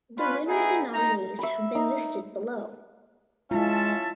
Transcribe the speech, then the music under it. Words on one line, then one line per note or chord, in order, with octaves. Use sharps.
The winners and nominees have been listed below.
C#4 F4 B4
B3 D#4 E4 G#4
D#4 A#5
E5 B5
D#4
G#3 C#4 E4 F4 E5 A5